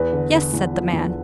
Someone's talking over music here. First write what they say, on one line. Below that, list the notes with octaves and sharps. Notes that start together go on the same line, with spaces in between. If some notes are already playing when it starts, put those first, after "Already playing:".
"Yes," said the man.
Already playing: E2 B4
D3
D3
E2
F3
E2